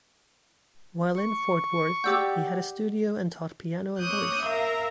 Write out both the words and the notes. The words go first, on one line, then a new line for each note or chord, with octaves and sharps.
While in Fort Worth, he had a studio and taught piano and voice.
C#6
G4 D5 F#5 D6 E6 G6
C#5 D6 D#6 F#6 G6
A#4 E5 F5 A#5